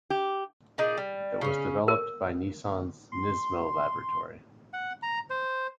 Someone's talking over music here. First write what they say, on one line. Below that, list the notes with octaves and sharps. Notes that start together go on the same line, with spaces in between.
It was developed by Nissan's Nismo laboratory.
G4
A#2 D#4 G#4 D5
G3
C#3 C#4
A#4
C6
F#5
A#5
C5